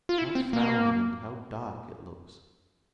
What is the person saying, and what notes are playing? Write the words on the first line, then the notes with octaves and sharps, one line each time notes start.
How frowning and how dark it looks!'
F4
E4
C4
A#3